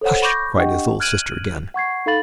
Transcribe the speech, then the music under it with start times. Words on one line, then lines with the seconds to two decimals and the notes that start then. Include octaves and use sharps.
"Hush!" cried his little sister again.
0.01 A4 C5 C#5 F#5
0.22 B5 C#6 D6 G6 A#6
0.57 D4 G4 D#5 F#5 G5 C#6
1.00 F6 F#6 G#6 D7 D#7 F#7
1.74 F#5 C#6 G#6 C7
2.06 D#4 A4 F5 B5 A6 F#7